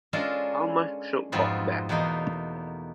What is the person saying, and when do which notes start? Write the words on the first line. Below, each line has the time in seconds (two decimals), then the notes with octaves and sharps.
How much should Bob bet?
0.13 G#3 C#4 D4 F4 A4 A#4
1.32 F2 G#2 B3 C4 F4 F#4
1.89 E2 B2 A3 A#3 D#4